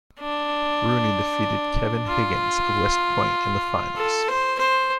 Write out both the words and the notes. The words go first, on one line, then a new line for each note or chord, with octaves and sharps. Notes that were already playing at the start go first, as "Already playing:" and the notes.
Rooney defeated Kevin Higgins of West Point in the finals.
D4
F4
A4
C5
C5